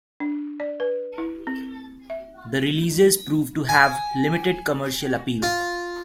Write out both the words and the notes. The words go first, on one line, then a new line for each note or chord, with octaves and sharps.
The releases proved to have limited commercial appeal.
D4
D5
B4
E4
C4
E5
G#5
F4